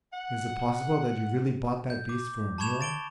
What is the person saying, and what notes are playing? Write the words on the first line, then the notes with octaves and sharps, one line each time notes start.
'Is it possible that you really bought that beast for a mule?'
F#5
G6
D6
A5 B5 C#6 G#6 E7 F7
A6 D7 G7